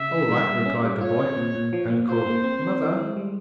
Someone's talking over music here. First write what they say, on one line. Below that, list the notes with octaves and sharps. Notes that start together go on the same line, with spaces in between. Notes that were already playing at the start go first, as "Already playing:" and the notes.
'All right,' replied the boy, and called 'Mother!'
Already playing: C#3 E5
E4
G3
G3
C#4
G3
F4 C#5
C4
A#2
A#2
F3
A#3
F4 C5
A#3
C4
C4
E4
G#3
G3